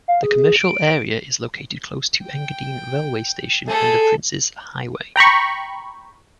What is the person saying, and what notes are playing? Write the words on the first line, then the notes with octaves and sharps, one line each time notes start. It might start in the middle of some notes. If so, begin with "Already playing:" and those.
The commercial area is located close to Engadine railway station and the Princes Highway.
F5
G#4
D7
G5
A3 G#4 A4
G5 A#5 B5 C#6